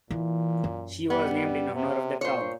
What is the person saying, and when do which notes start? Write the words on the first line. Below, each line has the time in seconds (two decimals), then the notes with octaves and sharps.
She was named in honour of the town.
0.10 A#2 E3
0.64 F#2
1.10 G3 B3
1.76 C3
2.21 A#2 C5 C#5